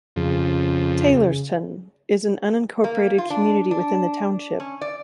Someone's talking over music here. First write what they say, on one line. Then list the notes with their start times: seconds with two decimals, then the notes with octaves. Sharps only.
Taylorstown is an unincorporated community within the township.
0.16 F2 C#3
2.84 A#3
3.18 F4
3.30 D4
3.71 D4
4.60 C#4
4.81 D5